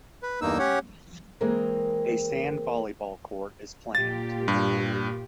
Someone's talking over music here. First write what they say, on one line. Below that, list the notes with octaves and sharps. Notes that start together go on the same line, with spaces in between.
A sand volleyball court is planned.
B4
E2 G2 A#3 D#4 E6
C#4 G4 C#5 F#5
E3 G#3 A#3 C4 G#4 A#4
A#2 F4 G4 A6
G2